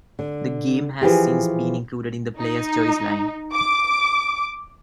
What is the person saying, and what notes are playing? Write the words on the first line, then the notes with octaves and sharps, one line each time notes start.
The game has since been included in the Player's Choice line.
D3
E3 F3 G4 G#4
D#4
D6